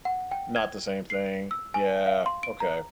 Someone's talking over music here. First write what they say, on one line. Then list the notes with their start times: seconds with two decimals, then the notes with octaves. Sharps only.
Not the same thing. Yeah, okay.
0.05 F#5
0.31 G5
0.56 G#6
1.10 C7
1.51 E6
1.74 G#5
2.06 F5
2.26 C6
2.43 D7
2.60 A#5